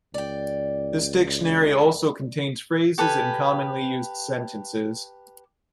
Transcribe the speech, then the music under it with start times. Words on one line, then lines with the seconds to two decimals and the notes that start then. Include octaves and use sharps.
This dictionary also contains phrases and commonly used sentences.
0.14 C#2 D5 G5
2.98 G4 A4 B4 G#5